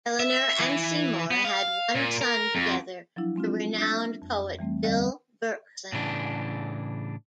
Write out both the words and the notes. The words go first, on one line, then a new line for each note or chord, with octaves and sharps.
Eleanor and Seymour had one son together, the renowned poet Bill Berkson.
E5
E3
B3
F5
A#2
A#4
F2
F3 F#3 D4 E4
G#3 C4 D4 F4
D4 E5 G6 A6 A#6
F2
E3 G3 A3 C4
D#2 D3 G3 C4 D#5 F5
A2 C#3 E3 D4